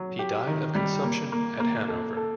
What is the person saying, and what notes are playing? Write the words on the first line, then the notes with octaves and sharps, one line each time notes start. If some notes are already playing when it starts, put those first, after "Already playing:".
He died of consumption at Hanover.
Already playing: F#3
G4
D#3
G3
A#3
A#3
A#3
A4
A4